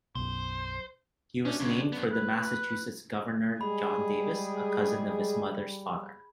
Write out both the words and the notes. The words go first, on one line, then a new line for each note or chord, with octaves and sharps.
He was named for Massachusetts Governor John Davis, a cousin of his mother's father.
B1 F#2 C5
C#4 D4
C#2 C#3
F#2 B3
B4
G3 G#3 G#4 B5